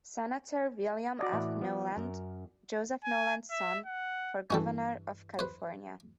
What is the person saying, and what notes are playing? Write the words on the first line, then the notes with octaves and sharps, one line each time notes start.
Senator William F. Knowland, Joseph Knowland's son, for governor of California.
F#4 D5 D#5
A2 E3 E4
F3 B3
F#2 A#4
G#5
E5
F#5
G2 E3 C#4 F#4 A4
B4 C5